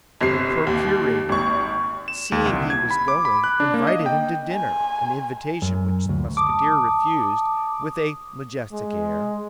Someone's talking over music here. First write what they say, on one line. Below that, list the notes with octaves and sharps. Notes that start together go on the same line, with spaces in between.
The procurator, seeing he was going, invited him to dinner--an invitation which the Musketeer refused with a majestic air.
G1 C3 C7
D#2
G#1 C#6
E7
D#2
C2
G#6
B5
D6
B5
F#6
D4
A#3
D#5
G5
G#5
F#2
D2
A5 D6 D#6
G#3